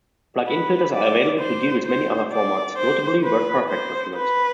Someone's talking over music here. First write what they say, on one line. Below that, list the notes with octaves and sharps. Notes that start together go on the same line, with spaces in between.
Plug-in filters are available to deal with many other formats, notably WordPerfect documents.
B4
D5
C5
C5
D5
C5
B4
C5
B4